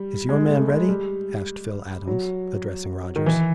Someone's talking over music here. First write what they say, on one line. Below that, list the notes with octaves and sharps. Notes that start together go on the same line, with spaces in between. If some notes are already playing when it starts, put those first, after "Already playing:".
"Is your man ready?" asked Phil Adams, addressing Rodgers.
Already playing: G3
G#3
A3
G#3
G3
F#3
D#3
E3